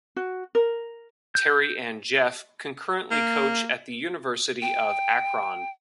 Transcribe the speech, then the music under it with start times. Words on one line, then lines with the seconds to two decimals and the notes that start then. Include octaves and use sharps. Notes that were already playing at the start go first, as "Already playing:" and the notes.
Terry and Jeff currently coach at the University of Akron.
0.16 F#4
0.55 A#4
1.35 G6
3.11 A#3
4.62 G5